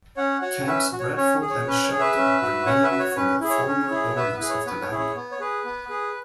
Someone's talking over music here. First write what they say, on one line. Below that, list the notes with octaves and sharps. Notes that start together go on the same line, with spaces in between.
Camps Bradford and Shelton were named for the former owners of the land.
C#4 C#5 F#5
F#4 C#5 F#5
C#4 B4 E5
F#4
C#5
C#4 C#5
G#4
C#5
C#4 B4
C#5
G#4
B4 E5
C#4
F#4
C#4 C#5 F#5
B4 E5
F#4
C#5
C#4 B4
E4 G#4
C#5
C#4
E4 G#4
B3 B4 E5
B4
E4 G#4
C#5
B3 B4
C#5
E4 G#4
C#5
B3
C#5
G#4 B4
B3
G#4